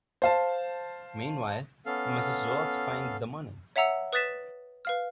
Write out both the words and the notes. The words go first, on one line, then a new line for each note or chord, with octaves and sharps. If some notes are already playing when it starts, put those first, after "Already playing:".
Meanwhile, Mrs. Ross finds the money.
C5 F5 A5
B3 C#4 A4 F5
C#5 E5 F#5 A#5 E6 C#7
B4 D#6 F#6 A6 B6 E7
B4 F5 F6